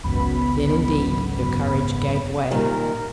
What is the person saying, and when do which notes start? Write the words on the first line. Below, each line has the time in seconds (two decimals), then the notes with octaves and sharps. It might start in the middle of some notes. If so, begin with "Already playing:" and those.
Then, indeed, her courage gave way.
0.03 G#1 C#2 F#2 B3 B5
2.51 A#2 D#3 G3 A#4